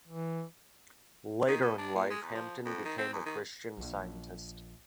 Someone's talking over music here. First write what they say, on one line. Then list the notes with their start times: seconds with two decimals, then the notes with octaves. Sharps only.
Later in life Hampton became a Christian Scientist.
0.07 E3
1.47 D#3
1.62 B2
1.78 D4
1.95 A#2
2.10 G#3
2.22 E2
2.34 F3
2.65 F2
2.85 D#3
2.98 C4
3.13 E2
3.26 D#3
3.77 A#1